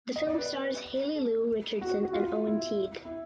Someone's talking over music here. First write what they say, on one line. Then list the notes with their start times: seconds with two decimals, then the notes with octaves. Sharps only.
The film stars Haley Lu Richardson and Owen Teague.
0.16 D#5
0.27 D5
0.38 B4
1.15 A4
1.81 F#4
1.92 F#4
2.03 F#4
2.13 F4
2.47 E4
3.05 E4